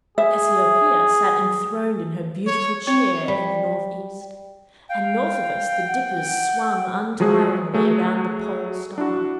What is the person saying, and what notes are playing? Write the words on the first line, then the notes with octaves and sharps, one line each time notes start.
Cassiopeia sat enthroned in her beautiful chair in the north-east; and north of us the Dippers swung untiringly around the Pole Star.
G#4 E5
C#5
C4 C#5
G3
F5 G5
F#5
F3 F#3 G#3 G#4
F#3 A3 G#4
D4 E4 F#4